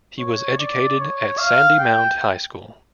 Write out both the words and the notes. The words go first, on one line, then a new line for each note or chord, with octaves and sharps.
He was educated at Sandymount High School.
C#5
D5
C#5
F5
G5